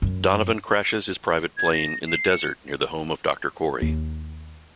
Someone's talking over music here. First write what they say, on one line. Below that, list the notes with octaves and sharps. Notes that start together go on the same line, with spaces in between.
Donovan crashes his private plane in the desert near the home of Doctor Cory.
F#2
G#6
A#6
C7
C#7
D#2